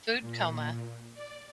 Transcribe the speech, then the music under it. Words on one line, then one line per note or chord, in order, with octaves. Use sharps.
Food coma.
A#2
D5